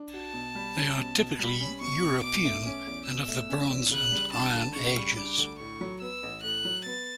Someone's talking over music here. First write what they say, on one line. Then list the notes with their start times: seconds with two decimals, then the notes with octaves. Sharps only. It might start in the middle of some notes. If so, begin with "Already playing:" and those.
They are typically European and of the Bronze and Iron Ages.
Already playing: D4
0.14 F#4 A5
0.34 B2
0.55 G3
0.76 C#4
0.98 B2
1.19 B2
1.39 G3 B5
1.60 C#4
1.81 B2 C#6
2.02 B2
2.23 B2 D6
2.44 A3
2.65 C#4 D6
2.87 E2
3.07 B2 E6
3.28 A3
3.50 C#4
3.70 E2
3.91 C#3 F#6
4.12 G3
4.34 D4 A5
4.55 D2
4.76 C#3 C#6
4.97 G3
5.17 D4 D6
5.38 D2
5.60 A2 C#6
5.81 F#3
6.01 B3 E6
6.23 A1
6.43 A2 F#6
6.65 F#3
6.85 B3 A6